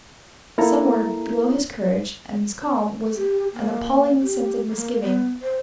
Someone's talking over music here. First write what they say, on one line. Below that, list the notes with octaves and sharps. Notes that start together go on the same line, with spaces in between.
Somewhere below his courage and his calm was an appalling sense of misgiving.
A#3 E4 A4 A#5
G4
A#3
G4
A#3
B3
C5